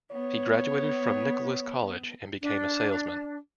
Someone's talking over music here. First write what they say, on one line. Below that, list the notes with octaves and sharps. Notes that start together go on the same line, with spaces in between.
He graduated from Nichols College and became a salesman.
B3 C#5
D4